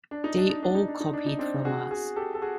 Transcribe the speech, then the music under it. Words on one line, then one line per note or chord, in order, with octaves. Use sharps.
They all copied from us.
D4
D#4
D4
D#4
D4
D#4
D4
D#4
D4
D#4
C4 D4
F#4 G#4
F#4 G#4
G4 A4
A4
F#4 G#4